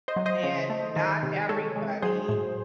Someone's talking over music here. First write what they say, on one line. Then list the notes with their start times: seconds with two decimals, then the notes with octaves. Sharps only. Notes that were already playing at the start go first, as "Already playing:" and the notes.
and not everybody
0.08 C5 D#5
0.16 F#3
0.26 C5 D#5
0.44 C#3
0.70 A3
0.96 D#3
1.23 C3
1.49 G#3 A4 C#5
1.76 G#3
2.02 F#3 G#4 C5
2.29 A2